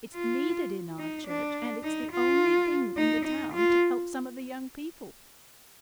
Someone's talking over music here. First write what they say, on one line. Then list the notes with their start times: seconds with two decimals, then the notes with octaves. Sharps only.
It's needed in our church, and it's the only thing in the town to help some of the young people.
0.14 F4
0.99 D#4
1.27 D4
1.84 D#4
2.12 F4
2.97 D#4
3.25 D#4
3.54 F4